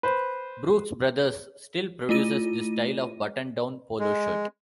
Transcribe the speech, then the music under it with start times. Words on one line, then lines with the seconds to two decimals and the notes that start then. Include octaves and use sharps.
Brooks Brothers still produces this style of button-down "polo shirt".
0.03 B4 C5
2.09 A3 E4 F4 D#7
3.99 G#3